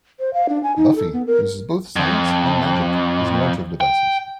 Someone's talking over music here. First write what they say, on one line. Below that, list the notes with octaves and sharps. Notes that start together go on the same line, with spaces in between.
"Buffy" uses both science and magic as narrative devices.
C5
F5
D4
G#5
D#4
A4
B3
A#4
F2
G5